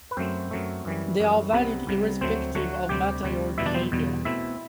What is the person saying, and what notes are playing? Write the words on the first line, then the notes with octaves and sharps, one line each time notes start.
They are valid irrespective of material behaviour.
B4
F#2 F#3 A3 C4 C5
F#2 F#3 A3
F#2 E3 G3
F#2 E3 G3
C2 C3 G3 B3 B4
C2 C3 G3
D2 D3 F#3 A3 C4 C5
D2 D3 F#3 A3 F#4 F#5
D2 C3 G3 C4 G4 G5
D2 C3 G3 C4
E2 B2 G3 E4 E5
D4 D5
C4 C5
E2 B2 G3
B2 A3 C4 E4 E5